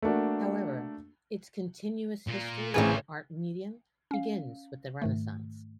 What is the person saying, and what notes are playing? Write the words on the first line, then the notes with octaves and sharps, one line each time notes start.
However, its "continuous" history as an art medium begins with the Renaissance.
A3 A#3 D4 F#4
A#2 A#3
A1 A#2 E3 C4 G#4 B4 C#5 G#6
C#4 F5
G#2 D#3 A3